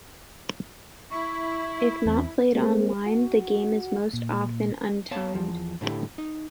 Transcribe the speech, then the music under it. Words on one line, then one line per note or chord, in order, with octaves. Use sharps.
If not played online the game is most often untimed.
E4 C#6
E2 B3 C4
G#3 A#3 C4
F#4
A#2
B3 C#5 F5 A5
E2 F3
A2 D3 E4 G4
D#4